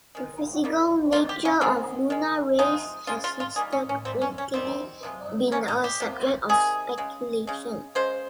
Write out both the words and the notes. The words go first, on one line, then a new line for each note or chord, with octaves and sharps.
The physical nature of lunar rays has historically been a subject of speculation.
D#3 G#3
D#3 G3 A#3
D#3 A#3 F4
G4
C#4
D#3 G#3 C4
D#3 G#3
C3 F3 G#3 D#4
C#3 F3 G#3 F4
F4
F4
D#3 G3 A#3 G#4
C#4
C#4
C3 G3 A#3 C4
C#4
C#4
D#3 G3 A#3 C4
C3 F3 G#3
C3 F3 A#3 C#4
D#4
G4
C3 F3 A#3
C3 D#3 G#4
C#3 G#3
C#3 G#3
C#3 G#3 C5